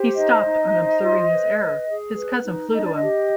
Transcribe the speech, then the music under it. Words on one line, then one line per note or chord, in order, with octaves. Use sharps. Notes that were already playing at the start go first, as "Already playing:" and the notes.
He stopped on observing his error: his cousin flew to him.
Already playing: G4 C5
D#4 D#5
D#4
C5
F4
B4
B4
G#4
B4
D#4
D4 D#5
D5
D#5
G4